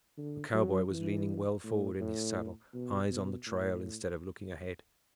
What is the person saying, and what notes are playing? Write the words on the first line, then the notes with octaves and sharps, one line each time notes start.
The cowboy was leaning well forward in his saddle, eyes on the trail, instead of looking ahead.
D3
F#3
E3
A2
A2
B2
B2
A2